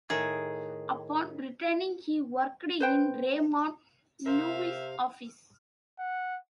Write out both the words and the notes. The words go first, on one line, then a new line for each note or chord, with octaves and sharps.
Upon returning he worked in Raymond Loewy's office.
A2 D#3 G#4
B4 C5 G5
C3 A#4 C5 E5 F5
F#5